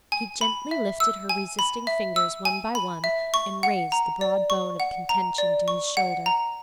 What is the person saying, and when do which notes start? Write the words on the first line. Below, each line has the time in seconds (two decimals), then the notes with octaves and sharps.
He gently lifted her resisting fingers one by one and raised the broad bone of contention to his shoulder.
0.12 G#5
0.41 B5
0.71 E5
1.00 E6
1.29 G#5
1.59 B5
1.87 E5
2.16 E6
2.45 G#5
2.75 B5
3.04 E5
3.34 C#6
3.63 F#5
3.92 A#5
4.21 D5
4.50 C#6
4.80 F#5
5.09 A#5
5.38 D5
5.68 C#6
5.97 F#5
6.26 A#5